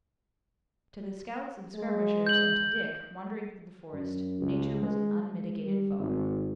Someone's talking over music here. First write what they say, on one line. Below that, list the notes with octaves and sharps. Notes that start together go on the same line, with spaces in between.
To the scouts and skirmishers and to Dick, wandering through the forest, nature was an unmitigated foe.
G#3
G6 F#7
F#2
C#2
G#3
G#3
G3
G#1